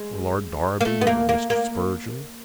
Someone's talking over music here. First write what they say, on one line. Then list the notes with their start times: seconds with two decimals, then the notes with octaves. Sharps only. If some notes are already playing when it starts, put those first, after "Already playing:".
Or Lord Derby, or Mr. Spurgeon.
Already playing: G#3
0.81 A#3
0.85 A3
1.01 B3
1.07 A#3
1.29 A#3
1.50 A#3